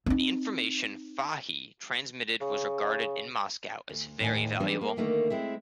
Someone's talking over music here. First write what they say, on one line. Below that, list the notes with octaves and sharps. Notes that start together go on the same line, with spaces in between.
The information Fahy transmitted was regarded in Moscow as very valuable.
C4 D#4
C#3
D2
D#2 A2 D#4 G#5
E3 G3 B3 C4 D4
A#3
D3 D#3 A3 A#3 D4 D#4
G#3 C4 E4